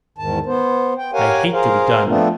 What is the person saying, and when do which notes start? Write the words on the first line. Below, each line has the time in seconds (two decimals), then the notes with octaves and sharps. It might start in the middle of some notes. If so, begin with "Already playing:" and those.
I hate to be done.
0.18 E2 G#2 D#3 A5
0.46 B3 C5
0.98 G5
1.13 G4 A#4 C#5 F5 F#5 G#5
1.53 G#4 A#4 C5 F5
2.07 F3 A3 B3 C4 D4 F4